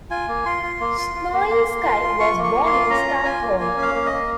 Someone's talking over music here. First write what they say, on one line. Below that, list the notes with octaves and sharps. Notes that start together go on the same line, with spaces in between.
Snoilsky was born in Stockholm.
F4 G#5
A#3
F4 C6
F4
A#3
F4
F4
A#3
A#3
A#3
F4
F4
F4 C#6
A#3
C#6
A#3
C6
F4
C#4 A#5
F4
F4 G#5
A#3
A#3 G#5
C#4
F5
A#3
D#5
A#3